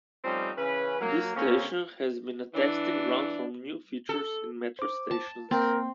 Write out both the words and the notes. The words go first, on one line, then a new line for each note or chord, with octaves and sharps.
This station has been a testing ground for new features in Metro stations.
F3 G3 A3 C4 C#4 D#4
C#3 E3 C#4 B4
F#3 A#3
D3 A#3 C4 C#4
E3 D4
A4
C5 D6
A5
A#3 C4 A#4